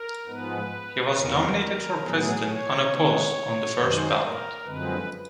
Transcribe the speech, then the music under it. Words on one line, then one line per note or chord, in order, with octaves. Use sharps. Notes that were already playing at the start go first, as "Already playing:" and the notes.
He was nominated for President unopposed on the first ballot.
Already playing: A#4
G#2 F3 G#3 B3 B4
E2 C3 E3 G#3 B3 A#4
A2 F#3 B3 G#4
C#5
C3 D#3 G#3 B3
F#2 D#3 G#3 C5
A#4
F#2 D3 F3 G#3 C4 B4